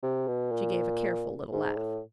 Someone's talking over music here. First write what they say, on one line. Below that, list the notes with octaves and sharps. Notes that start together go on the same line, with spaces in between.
She gave a careful little laugh.
C3
B2
A#2
G#2
A2